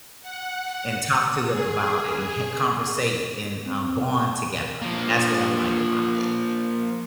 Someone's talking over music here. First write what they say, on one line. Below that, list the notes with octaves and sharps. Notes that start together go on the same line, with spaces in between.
and talk to them about it, and h conversate and, um, bond together. That's what I like about it.
F#5
G#4
C4
F3 A#3